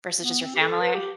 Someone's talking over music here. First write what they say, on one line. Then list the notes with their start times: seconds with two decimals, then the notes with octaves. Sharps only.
versus just your family?
0.21 B3
0.42 C4
0.55 G4
0.61 A4
0.81 B4
0.95 G4